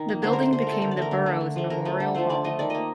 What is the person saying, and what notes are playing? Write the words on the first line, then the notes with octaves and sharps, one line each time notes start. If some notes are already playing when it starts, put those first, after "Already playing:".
The building became the borough's Memorial Hall.
Already playing: D#3 A#4
A#3
D3 C5
A#4
A3 C5
D3 C5
A3 A#4
A4
D3 A#4
D5
A3 A#4
D3
A3
D3
F3 A3
D3 A#4
F3 A3
D3 A4
F3 A3 C5
D3 D5
F3 A3 D#5
D#3 D5
A#3 D#5